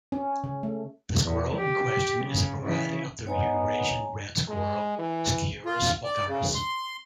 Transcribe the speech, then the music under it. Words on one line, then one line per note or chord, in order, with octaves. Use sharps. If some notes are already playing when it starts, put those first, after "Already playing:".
The squirrel in question is a variety of the Eurasian red squirrel, "Sciurus vulgaris".
C#4
C#3
A3
E2
G4
C#3
C#3 E3
B3 D#4 C#5 G#5 A#5
G#3
E3
F4
D5
C#3
C6